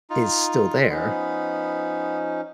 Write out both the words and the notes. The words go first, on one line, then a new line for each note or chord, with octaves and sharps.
is still there
D#4 F4
F3 B3 C#4 D#4 B5